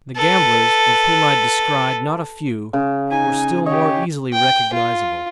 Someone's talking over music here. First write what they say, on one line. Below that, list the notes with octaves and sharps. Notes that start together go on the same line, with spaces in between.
The gamblers, of whom I descried not a few, were still more easily recognisable.
A4 B4
C#3
D#4 G#5
G4 C#5 D#5
G5
F4